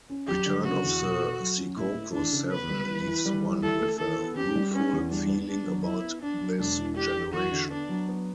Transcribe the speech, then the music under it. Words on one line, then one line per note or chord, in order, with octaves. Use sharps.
"Return of the Secaucus Seven" leaves one with a rueful feeling about this generation.
C#4
F#3 G4
D3
C#3 F#4
E2
B2
A4
F#3
C#4
A2 E4
A2
E3 D4
C#3
B3 B4
G3
E3
E3
G3
E3
E4 A4
A3
E3 A4
B3
C#4 G4
G3
B3 C#4
E2
G3 D4
B3
B3 D4
F#3
B3 E4
B3
B3 D4
F#3
E1 D4
E3
D4 G4
D4
E2 F#4
D3
B3 D4
F#3
B3